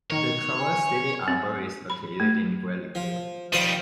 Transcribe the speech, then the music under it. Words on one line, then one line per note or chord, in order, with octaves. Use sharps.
The Traverse City Harbor is located in Greilickville.
D#3 A#4 C#5
G#5
C4
B5
A3
F3
D#3 F3 G3 C5 D#6